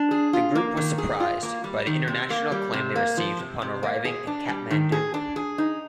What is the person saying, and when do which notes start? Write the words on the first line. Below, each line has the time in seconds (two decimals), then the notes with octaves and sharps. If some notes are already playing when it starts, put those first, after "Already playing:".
The group was surprised by the international acclaim they received upon arriving in Kathmandu.
Already playing: D4
0.11 G#4
0.33 F4
0.55 A#3
0.77 D#3
0.98 G#4
1.20 F4
1.43 A#3
1.64 G3
1.87 D#3
2.08 C3
2.30 A#3
2.52 G3
2.74 C3
2.96 A#3
3.17 F3
3.39 C3
3.62 C3
3.83 A#3
4.05 G#4
4.27 D4
4.48 G3
4.71 D#3
4.92 G#4
5.14 D4
5.36 G#4
5.58 D#4